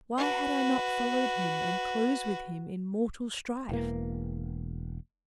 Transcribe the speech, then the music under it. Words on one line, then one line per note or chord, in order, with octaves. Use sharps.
Why had I not followed him and closed with him in mortal strife?
F#4 B4
E1 E3 A#3